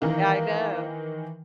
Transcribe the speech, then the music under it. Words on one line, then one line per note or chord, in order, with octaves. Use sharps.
I know.
D#3 E3 A#3 A#4